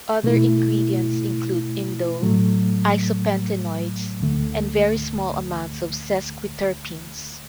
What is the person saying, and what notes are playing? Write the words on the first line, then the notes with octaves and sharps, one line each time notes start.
Other ingredient include indole, isopentenoids and very small amounts of sesquiterpenes.
B2 A3 E4
A2 F#3 A3
D2 D3 A3